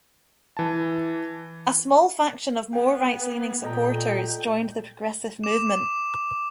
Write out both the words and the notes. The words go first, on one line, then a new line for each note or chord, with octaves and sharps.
A small faction of more right-leaning supporters joined the Progressive movement.
E3 A5
B3 G5
A#2 A3 A4 D#5 G5 A#5
D6 E7